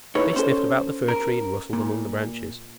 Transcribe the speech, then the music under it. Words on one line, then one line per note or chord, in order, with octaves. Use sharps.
They snuffed about the Fir Tree, and rustled among the branches.
D#4 E4 B4 C#5
C#4 A4 C5
A#4
A#2